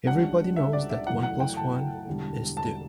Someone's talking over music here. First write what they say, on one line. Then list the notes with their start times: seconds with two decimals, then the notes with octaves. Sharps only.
Everybody knows that one plus one is two.
0.07 C#2 C#3 G3 D4 F#5
0.56 E5
0.73 D5
0.90 E5
1.07 F#1 F#2 E3 A3 E4 F#5
1.23 F#5
1.40 G5
1.57 A5
2.07 E1 E2 D3 G3
2.57 A5